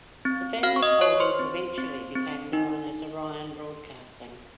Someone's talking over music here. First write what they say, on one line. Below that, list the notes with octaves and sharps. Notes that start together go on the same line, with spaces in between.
The family's holdings eventually became known as Orion Broadcasting.
C4
F#4 F5 F6
C#6
D#5 D#6
F#4 C#5 C#6
C5 C6
C4
C4
C4
D#4